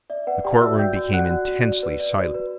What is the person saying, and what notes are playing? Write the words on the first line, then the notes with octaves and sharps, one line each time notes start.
The courtroom became intensely silent.
D5 E5
B4 F#5
G4 D5 G5
F#4 E5 E6
D5 G5 G6
F#4
D5 F#5 F#6
F#4
F#4
D5
B4
D5
F#4
B4